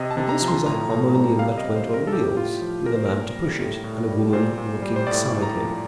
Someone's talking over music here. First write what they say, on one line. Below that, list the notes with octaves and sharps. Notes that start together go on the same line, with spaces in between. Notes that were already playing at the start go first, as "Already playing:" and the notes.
But this was a harmonium that went on wheels, with a man to push it, and a woman walking beside him.
Already playing: C3 D#5
A5
C3
A#5
F3
C6
A2 A#5
A2 A#5
G3 A#5
C3 F5
D#5
C3
C5
G3
A#4
A4
A2 G4
A2 F4
F3
A#2 A#4
C5
A#2 A#4
G3
A2
A2
G3
A#2 C5
A#2
G3
C5
A2 D5
A2
A#5
F3